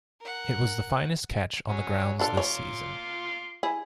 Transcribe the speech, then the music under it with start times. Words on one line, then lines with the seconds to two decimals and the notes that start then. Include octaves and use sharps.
It was the finest catch on the grounds this season.
0.21 A#4 F#5
1.68 F#3 C#4
2.20 D4 F4 A4 C6 D6
2.37 C#5
3.63 E4 G#4